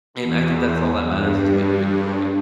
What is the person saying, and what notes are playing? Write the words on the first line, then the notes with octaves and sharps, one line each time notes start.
And I think that's all that matters is what you enjoy.
E2
G2